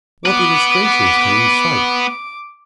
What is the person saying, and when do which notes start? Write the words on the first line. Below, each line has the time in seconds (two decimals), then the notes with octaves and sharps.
What illustrations can you cite?
0.25 B3 B4 D6